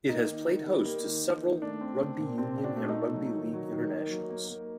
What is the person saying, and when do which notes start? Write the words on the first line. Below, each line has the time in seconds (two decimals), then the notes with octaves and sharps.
It has played host to several rugby union and rugby league internationals.
0.09 A#3 D#4
0.29 D#3
0.48 D#3
0.66 G3
0.86 A#3
1.05 D#3
1.24 A#3
1.44 D#3
1.62 A3 D4
1.81 C4
2.01 C4
2.19 A#2
2.38 C4 D4
2.57 A#2
2.64 D4 F#4
2.76 A3
2.89 D#4
2.96 A3
3.15 F#3
3.34 D#3
3.54 F#3
3.72 D#3
3.91 A#3
4.10 F#3
4.30 A#3
4.48 A#3